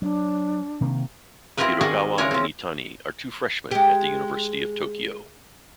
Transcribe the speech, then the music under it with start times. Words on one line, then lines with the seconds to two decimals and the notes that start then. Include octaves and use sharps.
Hirokawa and Itani are two freshmen at the University of Tokyo.
0.02 F#3 D4
0.81 C3 D#3 A#3
1.57 C4 E4 F4 G4 A#4 B4
1.81 D#3 G3 F#4 G#4 D5 D#5
2.18 C#3 G#3 E4 A#4 C#5
2.31 C4 C#4
3.71 G#3 G4